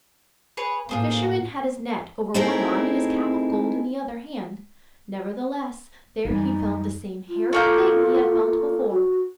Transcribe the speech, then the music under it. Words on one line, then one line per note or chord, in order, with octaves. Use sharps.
The fisherman had his net over one arm and his cap of gold in the other hand; nevertheless, there he felt the same hairy thing he had felt before.
G#4 B4 C#5
A2 A#3 F4 G#4 C5
A3 C4 D#4 E4 G#4 A#4
F#2 E3 G3 G#3 D#4
F4
A3 A#3 G6
F#4